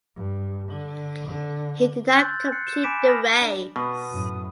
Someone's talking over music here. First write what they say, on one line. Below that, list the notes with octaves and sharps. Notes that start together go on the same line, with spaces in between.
He did not complete the race.
G2
D3
D3
C6 E6 F#6 G6 A6
A6
F#6 C7 C#7
E7
G#5 B5 D6 B6 D7 E7
A5 B5 D6 D#6 F6 A#6
D4
B2 B3 B5 D#6
F#2 A2